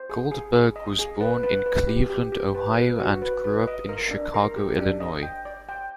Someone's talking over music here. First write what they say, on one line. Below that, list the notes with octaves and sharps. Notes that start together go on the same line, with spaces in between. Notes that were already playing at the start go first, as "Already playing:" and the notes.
Goldberg was born in Cleveland, Ohio, and grew up in Chicago, Illinois.
Already playing: C5
G#4
G#4
G#4
D#5
G#4
B4
B4
B4
G4
G4
G4
B4
B4
F#4
B4
B4
D#5
A#4
D4
A#4
G4
D4
D#5
G5
D5
G5